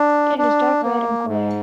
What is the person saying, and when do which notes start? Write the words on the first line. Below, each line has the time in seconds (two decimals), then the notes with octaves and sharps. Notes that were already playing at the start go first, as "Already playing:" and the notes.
It is dark red in colour.
Already playing: D4
0.38 D4
0.82 A#3
1.27 G#2